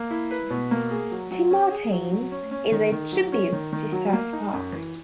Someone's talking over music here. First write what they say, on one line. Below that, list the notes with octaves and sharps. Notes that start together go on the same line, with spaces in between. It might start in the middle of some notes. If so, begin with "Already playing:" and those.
Timotines is a tribute to South Park.
Already playing: A#3
E4
B4
B2
A#3
G#4
F#3
F#3
C#4
G#4
F#3
F#3
C#4
C#4
D#3
D#3
F#3
C#4
D#3
D#3
F#3
A#3
D#4
F#2
E3